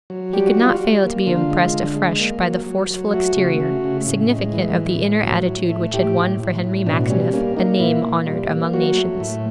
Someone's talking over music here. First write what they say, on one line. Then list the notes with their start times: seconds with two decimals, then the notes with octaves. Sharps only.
He could not fail to be impressed afresh by the forceful exterior, significant of the inner attitude which had won for Henry Maxineff a name honored among nations.
0.10 F#3
0.33 G3 G4
0.47 F#4
0.57 G3 F4
0.75 F#4
0.81 G3
1.04 A#3
1.27 D3 F4
1.50 G#3
1.73 D3
1.96 G#3
2.19 A#3
2.43 F#3
2.66 F#3
2.90 F#3
3.13 A3 F#4
3.36 C#3
3.60 A3
3.84 C#3
4.07 A2
4.30 G#3
4.53 E3
4.77 A2
5.00 A2
5.23 F#3
5.47 A2
5.70 A3
5.93 A2 G4
6.17 A2
6.40 A2
6.64 A2
6.86 B2 D4
7.10 G3 C#4
7.33 A#3 C#4
7.56 A#3 D#4
7.80 A#2 E4
8.04 A#2
8.26 G3
8.49 A#3
8.73 F#3 F#4
8.97 A3
9.20 A2